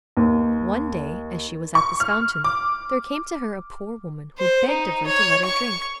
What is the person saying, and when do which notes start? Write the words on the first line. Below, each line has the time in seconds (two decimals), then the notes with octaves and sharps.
One day, as she was at this fountain, there came to her a poor woman, who begged of her to let her drink.
0.17 D#2
1.75 C#6
2.00 F6
2.44 D6
4.38 C5
4.69 D#4
5.07 C#5
5.45 C#6